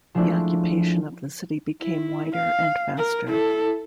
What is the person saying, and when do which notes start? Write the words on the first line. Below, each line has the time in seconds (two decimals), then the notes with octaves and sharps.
The occupation of the city became wider and faster.
0.15 F3 G#3 A3 D4 E4
1.81 E4
2.36 F5
2.98 A#4
3.26 E4 A4